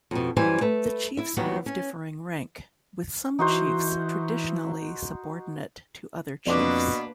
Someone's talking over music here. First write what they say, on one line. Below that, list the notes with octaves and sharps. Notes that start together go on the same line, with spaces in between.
The chiefs are of differing rank, with some chiefs traditionally subordinate to other chiefs.
F2 B2
F#2 E3 G3 C5 G#5
A3 B4
E4 E5
D#2 F#3 G3 B3
C#4
E3 D#4 F#4 C5
F2 B2 A#3 D4 B4 D5 C6 D6